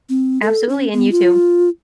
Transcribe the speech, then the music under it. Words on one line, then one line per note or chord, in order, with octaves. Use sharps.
Absolutely. And you too.
C4
A4
C#4
B3
F4